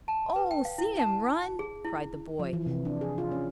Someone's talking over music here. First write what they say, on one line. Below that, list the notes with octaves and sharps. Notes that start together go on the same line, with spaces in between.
"Oh, see him run!" cried the boy.
A5
B4
G5
F5
E4
A5
G#4
E4
F3
E3
C3
D4
G#4
F4
C#4